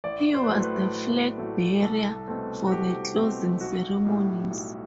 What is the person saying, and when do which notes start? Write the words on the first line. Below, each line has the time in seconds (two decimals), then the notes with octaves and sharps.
He was the flag bearer for the closing ceremonies.
0.04 A1 D5
0.35 C5
0.43 B4
0.49 A2 F#3 A3 C5
0.63 B4
0.93 A1
1.38 A2 F#3 A3
1.82 C2 A4
2.28 B2 A3 C4
2.67 F#4
2.72 C2 G4
3.17 B2 A3 C4
3.60 B1 F#4
4.05 A2 G3
4.51 B1